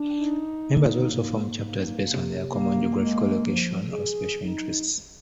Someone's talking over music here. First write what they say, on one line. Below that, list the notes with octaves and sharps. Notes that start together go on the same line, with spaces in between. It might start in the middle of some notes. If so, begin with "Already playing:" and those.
Members also form "chapters" based on either common geographical location or special interests.
Already playing: D4
D#4
A#3
G#2
A#3
C3
A#3
G#3
F3
G#4
D#4